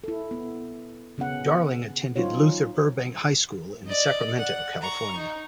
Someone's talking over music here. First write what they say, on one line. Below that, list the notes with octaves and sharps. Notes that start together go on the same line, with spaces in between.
Darling attended Luther Burbank High School in Sacramento, California.
E4 A4
B3
C#3 B3 C#4 F#5
F#3 C#4 D#4 F4 C5 C#5
D5 D#5
F#5
A#5 C#6
D#4